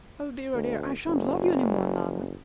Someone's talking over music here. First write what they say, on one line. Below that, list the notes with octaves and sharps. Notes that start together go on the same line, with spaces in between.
Oh dear, oh dear, I shan't love you any more, Nana.
D2
F#1